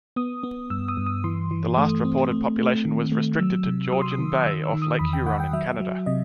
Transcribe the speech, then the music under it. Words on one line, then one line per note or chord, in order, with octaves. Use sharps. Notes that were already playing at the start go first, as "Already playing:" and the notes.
The last reported population was restricted to Georgian Bay off Lake Huron in Canada.
B3 D#6
B3
G2 E6
D#6
G2
D#6
E3 C6
E3
A3 D#6
C4
A3
A3
D#3
A3
F#3 E6
C3
F#3 D#6
C6
D#6
D#3
D#3 E6
E6
D#3
D#6
E2 B5
G5
D#3 F#5
G5
F#3 E5
F#3
C3 D#5